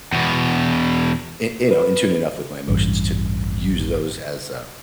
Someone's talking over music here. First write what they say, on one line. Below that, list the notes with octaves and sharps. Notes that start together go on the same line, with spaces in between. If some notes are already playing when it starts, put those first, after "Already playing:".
you you know, in tune enough with my emotions to use those as, uh,
E2 B2
B4
D1 A1 G2